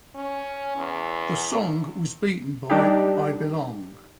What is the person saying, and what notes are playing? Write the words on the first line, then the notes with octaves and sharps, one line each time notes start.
The song was beaten by "I Belong".
C#4
E2
G3 D4 D#4 G4